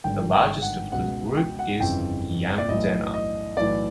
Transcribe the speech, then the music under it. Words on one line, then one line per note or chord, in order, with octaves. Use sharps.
The largest of the group is Yamdena.
G#1 G2 D3 G5
G5
F#5
C#2 B2 F#5
G5
F#5
G1 F2 C#3 E3 G5
D5
B1 A2 E3 D#5
D#5
B1 A2 E3 D5